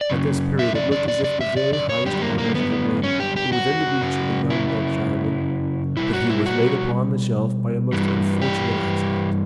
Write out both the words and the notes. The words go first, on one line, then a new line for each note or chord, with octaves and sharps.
At this period it looked as if the very highest honours of the ring were within the reach of the young Yorkshireman, but he was laid upon the shelf by a most unfortunate accident.
D5
F#2 C#3
E5
D5
D5
D5
D5
E5
D5
D5
C#5
F#2 D3 G3 G4
A#3
A#3
B3
C#4
G4
G4
F#4
F#2 C#3
E4
B2 G3 E4
F#4
E4
F#4
G2 E3 G3
G4